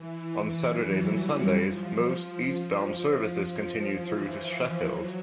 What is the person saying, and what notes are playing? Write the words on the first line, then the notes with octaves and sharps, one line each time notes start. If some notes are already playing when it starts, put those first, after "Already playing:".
On Saturdays and Sundays, most eastbound services continue through to Sheffield.
Already playing: E3
F#3
G3
F3
E3
F3
F#3